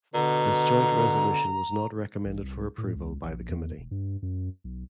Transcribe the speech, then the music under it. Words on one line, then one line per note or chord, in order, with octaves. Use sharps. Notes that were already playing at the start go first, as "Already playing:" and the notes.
This joint resolution was not recommended for approval by the committee.
B2 D3 A#5
A1
C2
A2
C#2
A#1
E2
E1
G2
F#2
B1